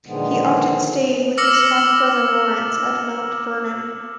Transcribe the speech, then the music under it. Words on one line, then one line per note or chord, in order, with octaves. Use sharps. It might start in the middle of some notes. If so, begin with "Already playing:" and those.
He often stayed with his half-brother Lawrence at Mount Vernon.
A#2 D3 D#3 F3 G#3 B3
D6 E6 F6 A#6 C#7 F#7